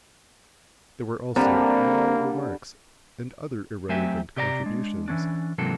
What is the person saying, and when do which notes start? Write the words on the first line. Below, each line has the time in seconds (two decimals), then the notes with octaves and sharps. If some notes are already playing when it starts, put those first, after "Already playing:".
There were also moral remarks and other irrelevant contributions.
1.36 D3 G3 A#3 C4 A#5 B5
3.89 F#3 A3 C4 G4 E5 G#5
4.37 C3 G4 D5 E5 A#5
4.63 G#3 D4
5.08 E3 A#3 C#4 D4
5.58 G#2 C3 E3 F#3 A#3 A4